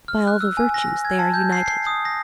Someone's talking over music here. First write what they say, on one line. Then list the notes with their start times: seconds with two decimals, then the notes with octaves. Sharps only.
By all the virtues they are united.
0.08 F6
0.28 F#6
0.41 E6
0.57 G#5
0.74 A#6
1.05 G#6
1.19 A5
1.34 G6
1.52 C7
1.66 C7
1.87 D#6
2.05 A#6